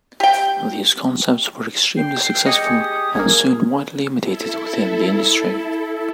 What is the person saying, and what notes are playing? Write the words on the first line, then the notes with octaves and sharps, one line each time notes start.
These concepts were extremely successful and soon widely imitated within the industry.
G4 G5
G5 C7
G5
G4 G#4 D#5 G#5 C#7
D#6
G1 A#3 G#4 G#6
E4 A4